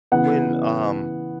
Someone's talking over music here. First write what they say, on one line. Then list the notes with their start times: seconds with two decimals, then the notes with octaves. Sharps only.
when um,
0.12 C#3 E3 B3 F#5